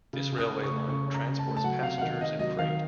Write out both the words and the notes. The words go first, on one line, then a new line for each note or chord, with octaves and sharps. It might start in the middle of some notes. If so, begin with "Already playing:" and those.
This railway line transports passengers and freight.
C#3
C#3
D#6
C#3
C#6
A3
C#3 C#6
C#4
A#5
C#3
A5
A3
A5
F#3 F#5
C3 F5
F#5
D#3 F5
C3 D#5
F#3 D#5
D#3 F5